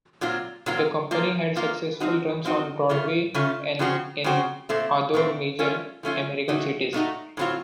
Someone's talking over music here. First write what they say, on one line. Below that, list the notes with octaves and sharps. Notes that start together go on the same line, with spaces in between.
The company had successful runs on Broadway and in other major American cities.
A#2 F#3 C4 F4
A#2 F#3 C4 F4
F3 A#3 F4
F3 A#3 F4
F3 C4 D#4 F#4
F3 C4 D#4 F#4
C#3 A3 C#4 F4
C#3 A3 C#4 F4
C#3 F3 C4 F#4
C#3 F3 C4 F#4
A#2 A3 C4
A#2 A3 C4
F3 A3 C#4 F4
F3 A3 C#4 F4
A#2 A3 D#4 F#4
A#2 A3 D#4 F#4
A2 F#3 C4 F4